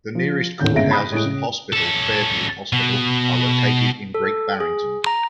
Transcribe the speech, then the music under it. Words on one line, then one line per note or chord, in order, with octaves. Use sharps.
The nearest courthouses and hospital, Fairview Hospital, are located in Great Barrington.
F3
D#1 A2 D3 G6
G1 C#3 G#3 E5 A#6 D7
B5 D#6 F#6
A2 G#3 D7
C#3
C#4 A4
B2
A4
G#4
A#5